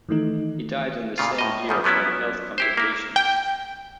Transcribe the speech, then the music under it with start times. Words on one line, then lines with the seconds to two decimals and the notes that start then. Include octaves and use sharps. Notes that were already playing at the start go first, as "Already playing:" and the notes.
He died in the same year from health complications.
0.09 D#3 E3 A3 D#4
1.18 A#2 C#3 F4
1.39 A2 D#5
1.69 F#2 D#3 G3
1.84 F3 F#3 B3 C#4 E4
2.58 E4 G4 C5
2.77 A#3 E4
3.16 G5